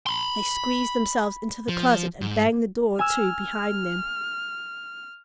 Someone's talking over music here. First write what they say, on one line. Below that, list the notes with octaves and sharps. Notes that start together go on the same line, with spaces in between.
They squeezed themselves into the closet, and banged the door to behind them.
B5 C6
F3
G#2
G#5 E6 F6